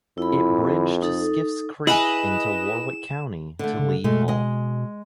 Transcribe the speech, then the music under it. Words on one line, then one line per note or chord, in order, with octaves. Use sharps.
It bridged Skiffe's Creek into Warwick County to Lee Hall.
F2 E4 B5
D#4 A4
E4 G#4 B4 D#5 F#5 G#5 E7 F#7
D3 A3
C#3
B2 G#3 A3
G#3 D#5